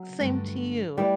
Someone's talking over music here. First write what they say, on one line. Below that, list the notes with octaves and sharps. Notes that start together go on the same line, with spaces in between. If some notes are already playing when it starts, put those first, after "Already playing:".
Same to you.
Already playing: F#3
G2 D3 A3
G3 A3 E4 G4 B4